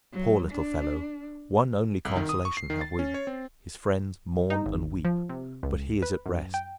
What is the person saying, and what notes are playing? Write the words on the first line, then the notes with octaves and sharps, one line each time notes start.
Poor little fellow! one only consolation have we; his friends mourn and weep, but he is at rest.
F#3
D4
C2
D#3
D#6
C#6
C7
D#3
A6
C#4
C#5
C4
D#4
G#1
F3
C3
C#2
B4
F#2
G5